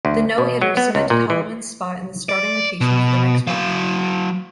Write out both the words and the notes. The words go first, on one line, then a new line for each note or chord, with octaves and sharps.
The no-hitter cemented Holloman's spot in the starting rotation for the next month.
D2
B2
F#3
B3
C#2
A#2
E3
D5
B2
F#3 F5